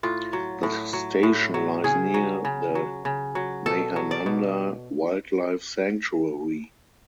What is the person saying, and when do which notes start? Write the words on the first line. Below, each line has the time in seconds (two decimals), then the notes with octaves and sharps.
The station lies near the Mahananda Wildlife Sanctuary.
0.03 A2 F4
0.33 F#3
0.63 A2
0.93 F#3
1.23 A2
1.54 F#3
1.84 C#3 G#4
2.14 F#3
2.45 C#3
2.75 F#3
3.05 C#3
3.35 F#3
3.66 B2 A4
3.96 F#3
4.11 D5
4.26 B2